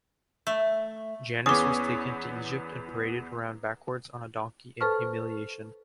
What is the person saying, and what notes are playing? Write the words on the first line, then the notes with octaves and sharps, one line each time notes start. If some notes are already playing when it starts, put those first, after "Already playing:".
Janus was taken to Egypt and paraded around backwards on a donkey in humiliation.
A3
E2 B3 C#4 G#4 D6 D#6
A4 B4 C5 A5 C#6 F6